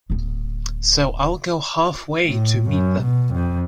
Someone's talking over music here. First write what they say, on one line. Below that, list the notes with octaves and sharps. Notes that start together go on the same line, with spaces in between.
So I'll go halfway to meet them.
D1 B3
A2
F#2
B2
F2